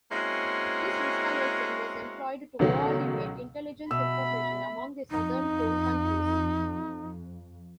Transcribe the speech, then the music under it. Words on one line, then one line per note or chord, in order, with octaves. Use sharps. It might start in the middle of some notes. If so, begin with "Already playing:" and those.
This installation was "employed to co-ordinate intelligence information among the southern cone countries".
G#3 A#3 C4 C#4 E4 F#4
C#2 B2 D#3 F#3 A3
B2 E5 B5 E6
F2 D#4